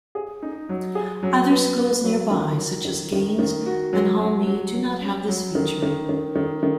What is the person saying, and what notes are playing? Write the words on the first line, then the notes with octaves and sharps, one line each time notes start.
Other schools nearby, such as Gaynes and Hall Mead do not have this feature.
G#4
D#4
F#3
G#4
F#3
B3
B3
F#3
D#3
F#3
D#3
D#3
D#3
F#4
F#3
F#3
F#3
F#3
C#4
F#3
D#3
D#3
D#3
D#3
D#3